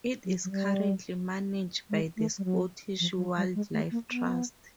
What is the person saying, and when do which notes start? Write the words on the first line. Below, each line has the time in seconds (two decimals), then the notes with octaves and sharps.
It is currently managed by the Scottish Wildlife Trust.
0.25 F#3
0.44 F#3
0.51 G3
1.90 G#3
2.17 A3
2.38 G3
2.44 F#3
3.00 F3
3.18 F#3
3.37 G3
3.55 G#3
3.74 A3
3.91 A#3
4.10 B3